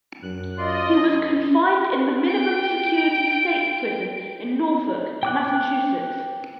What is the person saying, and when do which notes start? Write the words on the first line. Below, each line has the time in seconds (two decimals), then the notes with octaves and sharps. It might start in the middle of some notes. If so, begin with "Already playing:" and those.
He was confined in the minimum security state prison in Norfolk, Massachusetts.
0.23 F#2 F#6
0.58 F4 D5 D#5 C6
2.28 G5 D7
5.23 G5 D6 F#6